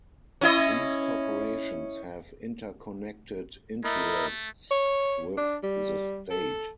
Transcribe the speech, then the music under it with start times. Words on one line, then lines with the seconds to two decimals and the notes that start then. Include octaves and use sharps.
These corporations have interconnected interests with the state.
0.41 C#4 E4 D#5
3.84 A3 E4 A#4 D#5
4.71 C#5
5.37 D4
5.63 G3
6.30 A4